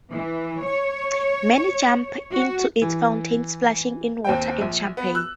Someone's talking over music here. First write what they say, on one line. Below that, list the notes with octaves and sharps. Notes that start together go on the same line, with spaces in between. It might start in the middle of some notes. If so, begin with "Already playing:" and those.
Many jumped into its fountain, splashing in water and champagne.
E3
C#5
F#4
E3
D#2 C4 G5
A#1
B3
E6 F#6